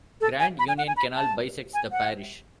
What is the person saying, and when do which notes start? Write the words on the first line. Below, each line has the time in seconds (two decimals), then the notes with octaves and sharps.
The Grand Union Canal bisects the parish.
0.21 A4
0.40 G#5
0.59 B5
0.68 G#5
0.78 F#5
0.87 G#5
0.97 B5
1.16 A5
1.74 G#5
1.92 F#5